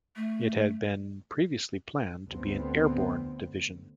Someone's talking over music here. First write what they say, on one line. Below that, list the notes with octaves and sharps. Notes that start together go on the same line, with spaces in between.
It had been previously planned to be an airborne division.
A3
D2 B3 C4